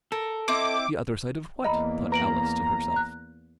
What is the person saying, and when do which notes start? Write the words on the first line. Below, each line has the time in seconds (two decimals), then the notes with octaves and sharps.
The other side of WHAT?' thought Alice to herself.
0.12 A4 A#4
0.48 C4 E4 D#5 D6
1.64 E2 A#3 D#5 A#5 B5
2.12 B4 A#5 D7 F#7
2.96 F#6